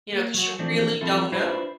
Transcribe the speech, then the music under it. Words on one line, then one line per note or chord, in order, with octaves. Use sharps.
You know, 'cause you really don't know.
A#3
F#3 F#4
E3 F3 A3 C4 D4
F3 B3 C4 E4 F4 A4
D4 E4 F4 B4 C5 D5